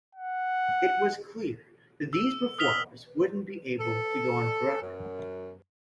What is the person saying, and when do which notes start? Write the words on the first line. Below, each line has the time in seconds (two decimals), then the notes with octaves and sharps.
It was clear that these performers wouldn't be able to go on forever.
0.15 F#5
2.13 E6
2.59 D#6 F6 B6 F7 G7
3.79 A4
4.82 F#2